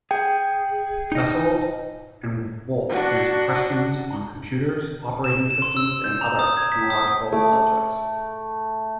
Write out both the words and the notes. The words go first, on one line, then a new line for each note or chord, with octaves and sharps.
Fasoldt and Wolf answered questions on computers, operating systems, and other technological subjects.
G#4 G5
D#4 D#5
D4 F#4
E7
E7
C6
E6
G6
A#5
D#6
G#6
B6
D#6
A3 D6